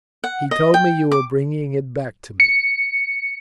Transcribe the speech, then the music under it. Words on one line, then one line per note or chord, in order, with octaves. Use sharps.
"He told me you were bringing it back to me."
F#5
D#5
G5
D6
C#7